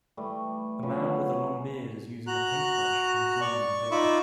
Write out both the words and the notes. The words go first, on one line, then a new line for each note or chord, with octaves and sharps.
A man with a long beard is using a paintbrush and drawing on paper.
E3 G3 A3
C#3 F3 F#3 B3
F#4 G#4
F#4 A#5 F#6
D5 C#6
D#4 F4 E5 B5 C#6 D6